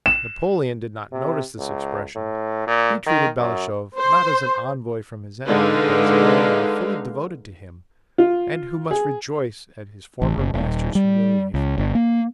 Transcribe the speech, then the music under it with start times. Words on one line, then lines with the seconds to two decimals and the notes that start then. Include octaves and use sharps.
Napoleon did not notice this expression; he treated Balashev not as an envoy from his enemy, but as a man now fully devoted to him and who must rejoice at his former master's humiliation.
0.06 E7
1.12 C3
1.58 C#2
2.15 A2
2.67 A#2
3.06 D#3
3.39 F#2
3.98 C5
5.47 D3 G#3 D#4 B4 F5
8.18 F4
8.91 G#4
10.22 A1
10.37 F#1
10.54 D#1
10.95 G3
11.54 C#2
11.78 G1
11.95 A#3